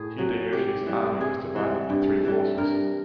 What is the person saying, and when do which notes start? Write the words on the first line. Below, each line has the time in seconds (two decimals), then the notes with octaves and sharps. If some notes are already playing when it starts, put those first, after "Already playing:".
Hideyoshi's army was divided into three forces.
Already playing: A2 G#4
0.18 F#3
0.52 C3 G4
0.87 E3 G3
1.21 C3 G#4
1.56 E3 G3
1.90 G2
2.24 E3 G3
2.58 G2 A#4